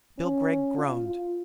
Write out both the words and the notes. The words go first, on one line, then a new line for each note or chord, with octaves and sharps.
Bill Gregg groaned.
C#4
F4
F4